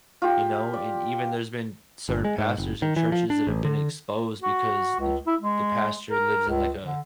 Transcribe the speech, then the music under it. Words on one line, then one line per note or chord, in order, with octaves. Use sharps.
you know, and even there's been certain pastors and churches that have been exposed because the ch the pastor lives in like a
F4 G4
D5
G1
G#3
G#2
F#1
D#3
E3
F3
D4
A1
D3
F#4
C#2
E4
G#3
A#4
C#2
D3